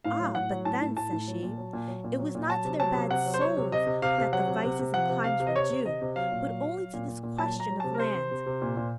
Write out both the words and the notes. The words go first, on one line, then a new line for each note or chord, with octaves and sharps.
'Ah, but then,' says she, 'it was not to their bad souls that the vices and climes were due, but only to this question of land.
A2 F5
F#3
A2 F#5
F#3
A2 A5
A2
A2 A5
A2
F#3
A#2
F#3
A#2
F#3
A#2
F#3
A#2
F#3 A5
C3
F#3 A5
C3
C3 F#5
F#3
C5
F#3 C#5
C3
C3 D#5
C3
C3 F5
C3
F#3 F#5
C3
C3
C3
F3 F#5
C3
C3 F5
C3
D#5
C3 C#5
C3
C3 D#5
C3
F#3 F5
A#2
F#3
F#3
F#3
A#2
A#2
A#2
F#3 A5
F#3
A#5
F#3
C3 A5
A#4
C3 C5
C3
C3
C3
A#2
A#2